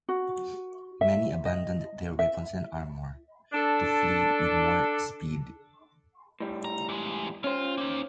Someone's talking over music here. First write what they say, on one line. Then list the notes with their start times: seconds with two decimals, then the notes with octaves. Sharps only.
Many abandoned their weapons and armor to flee with more speed.
0.09 F#4
1.01 E5
1.45 D#5
2.19 E5
3.53 D4 A4
6.40 A2 G3
6.65 A#5
6.89 E2 G#3
7.44 C#4 F4 C5
7.78 A#3 D#4